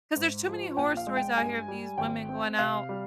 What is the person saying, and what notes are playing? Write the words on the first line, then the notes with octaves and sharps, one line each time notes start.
cause there's too many horror stories out here of these women going out,
G#2
F3
A#1 G5
F5
G#3
G5
G2 G#5
G3
G#1 G5
C4
C3 F5
G3